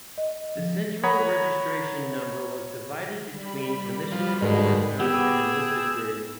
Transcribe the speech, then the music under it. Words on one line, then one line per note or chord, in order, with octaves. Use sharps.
The Central Registration Number was divided between commissioned officers and enlisted grades.
D#5
F3
C#5 F#5 A#5 B5 D#6 G#6
G3 B5
F3
G#2 B2 D3 D#3
B3 G4 G#4 G5 E6